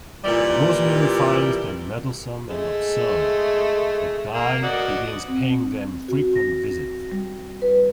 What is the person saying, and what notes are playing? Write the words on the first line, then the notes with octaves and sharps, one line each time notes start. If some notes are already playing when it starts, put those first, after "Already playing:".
Rosemary finds them meddlesome and absurd, but Guy begins paying them frequent visits.
A#2 E3 G3
G#3 A3
A#3
F#4 D5 D#5
C4
F#4
A#6
G3
B4